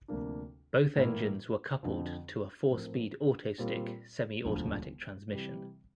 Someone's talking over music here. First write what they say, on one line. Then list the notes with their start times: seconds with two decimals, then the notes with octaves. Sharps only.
Both engines were coupled to a four-speed Autostick semi-automatic transmission.
0.08 D2 C3 F3 A#3 D4
0.96 A2 E3 A#3 E4
1.83 F2 D3 F3
2.70 A2 F3 C4 F4 A#4
3.58 A#2 G3 C4 F4 A#4
4.45 E1 D2 D3 F3
5.32 C3 E3 G3